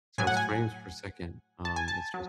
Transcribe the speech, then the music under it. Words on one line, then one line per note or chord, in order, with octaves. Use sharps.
So, it's frames per second, um, it's just
A2 F#3 G#5
F#5
G#5
A5
G#5
A5
F#3